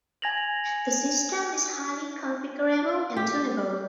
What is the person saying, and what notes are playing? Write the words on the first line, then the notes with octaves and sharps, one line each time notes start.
The system is highly configurable and tunable.
G#5 G#6 A#6 F7 F#7
G4